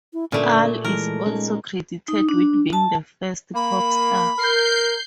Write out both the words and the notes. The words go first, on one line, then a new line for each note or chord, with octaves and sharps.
Al is also credited with being the first "pop star".
E4
A#2 D3 A3 C#4 B4 D5
E3 G#3 A3 A#4
G#3 C#4 D#4
D#4
D4
A5
A#3 B5
A#4 G6 C7